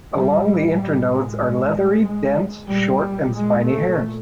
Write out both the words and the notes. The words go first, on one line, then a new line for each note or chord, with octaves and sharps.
Along the internodes are leathery, dense, short and spiny hairs.
A2 G3
G3
G#3
A#2 G3
G#3
A3